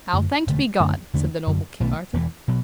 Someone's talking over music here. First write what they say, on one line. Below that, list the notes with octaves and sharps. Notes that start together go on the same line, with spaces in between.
NOW thanked be God, said the noble King Arthur.
F#2 D3 A3
E1 D2 D3 A3
F#2 D3 A3 D4
E2 D3 A3 D4
F#2 D3 F#3
B1 B2 A3
E1 E2 E3
B2 F#3